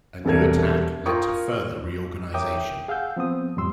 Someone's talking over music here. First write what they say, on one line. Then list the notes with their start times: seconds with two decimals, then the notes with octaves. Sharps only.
A new attack led to further reorganization.
0.25 E1 C2 G3 A4 A#4 G#6
1.06 F4 A#4 G5 C#6 D#6
2.34 A#4 C#5 E5 G5 D6 D#6
2.57 G5
2.88 G#4 F5 F#5 E6 G6
3.16 F3 B3 C4 D#6
3.57 F2 A2 G3 C6 E6